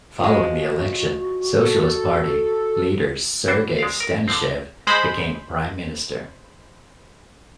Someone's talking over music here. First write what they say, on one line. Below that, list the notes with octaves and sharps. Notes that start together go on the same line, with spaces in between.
Following the election, Socialist Party leader Sergei Stanishev became Prime Minister.
F3 G#3 F#4
A4
E3 D4 F#4 C5
G#3 D5 F5
A#4
D3 F3 C4
G#3 C5 B5